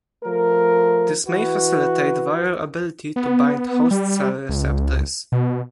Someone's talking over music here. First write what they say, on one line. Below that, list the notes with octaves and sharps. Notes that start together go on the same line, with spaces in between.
This may facilitate viral ability to bind host cell receptors.
F3 A3 A#4
E3 F#4 B4
B3
G3
C#2
B2